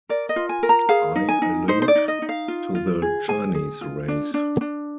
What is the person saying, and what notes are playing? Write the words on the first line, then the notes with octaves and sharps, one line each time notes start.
I allude to the Chinese race.
A#4 D5
D#5
F4
G#5
A#4
A#5
G#4 F5
D#4
G#5
D#4
D#4 C5
C5
D5
D#4
D#5
D#4
F5
F4
F4
G#4
G#4 G#5
G#4
F4
D4
D4
D4